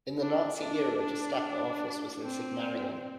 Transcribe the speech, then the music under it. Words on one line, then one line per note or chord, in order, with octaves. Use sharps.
In the Nazi era a Gestapo office was in Sigmaringen.
D4
D4
D4
C4